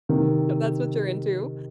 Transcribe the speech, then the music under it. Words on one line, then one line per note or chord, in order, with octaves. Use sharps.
if that's what you're into.
C3 D#3